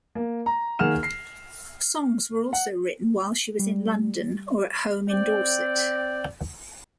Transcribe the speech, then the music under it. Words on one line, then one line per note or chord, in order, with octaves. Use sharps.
Songs were also written while she was in London or at home in Dorset.
A#3
A#5
D#3 A#3 G#4 F#5 F6 E7
C7
F#5
G3
C4 D5 G5